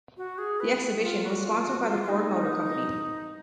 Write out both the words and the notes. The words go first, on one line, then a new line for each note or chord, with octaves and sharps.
The exhibition was sponsored by the Ford Motor Company.
F#4
G#4
B4
F4
F#4
F4
F#4
F#4
F4
F4
D#4